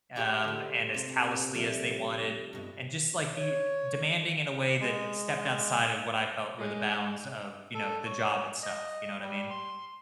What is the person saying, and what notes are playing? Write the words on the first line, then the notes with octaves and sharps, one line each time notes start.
um, and as callously as they wanted, and just, like, be demanding in a way that stepped outside of what I felt were the bounds of, you know, the job itself. You know what I mean?
E4 G4 G#4 C5 C#5 E5
D3 F4
C3
F3 G3 A3
G2 B2
C#5
G#3
G#3
A4
C#5
D#5
G3
C6